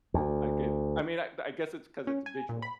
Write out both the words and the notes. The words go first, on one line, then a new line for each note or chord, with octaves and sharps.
I could I mean, I I guess it's because it's visual,
D2
C#4
G#5
A#2
B5